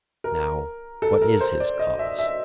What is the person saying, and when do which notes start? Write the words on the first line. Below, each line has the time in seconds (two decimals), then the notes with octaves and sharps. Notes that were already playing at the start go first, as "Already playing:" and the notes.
Now, what is his cause?
0.24 A#4
1.02 A4
1.22 A#4
1.41 C5
1.60 D5
1.79 D#5
1.99 E5
2.19 E5